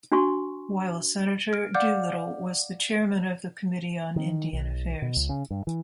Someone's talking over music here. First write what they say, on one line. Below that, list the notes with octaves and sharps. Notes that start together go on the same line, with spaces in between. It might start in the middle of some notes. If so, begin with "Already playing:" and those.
While senator, Doolittle was the Chairman of the Committee on Indian Affairs.
D4 F#4 G#5 C6 C#6
F6 D7
D5 F5 F#5 D6 F6 G6
D#3
B1
B2
C#2
C#3
G2
E3